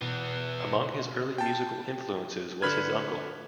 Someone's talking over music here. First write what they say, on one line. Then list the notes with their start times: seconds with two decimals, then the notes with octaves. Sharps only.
Among his early musical influences was his uncle.
0.01 B2 E3 B3
1.38 G5 A5
2.62 D3 B4 B5 F6 G#6